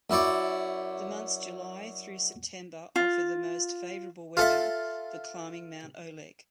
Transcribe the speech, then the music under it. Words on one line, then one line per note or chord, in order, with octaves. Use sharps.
The months July through September offer the most favorable weather for climbing Mount Oleg.
F#2 E4 D5 C#6 D6
F4
F4 A4 E5